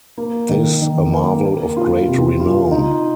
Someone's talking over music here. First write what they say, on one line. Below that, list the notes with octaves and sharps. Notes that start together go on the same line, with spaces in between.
'Tis a marvel of great renown!
A#3
D#3
D#3
A#3
A#3
F4
C3
F4
D#4